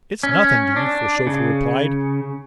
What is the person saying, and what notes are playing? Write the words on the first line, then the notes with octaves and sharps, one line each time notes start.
"It's nothing," the youthful chauffeur replied.
C#4
D4
C#3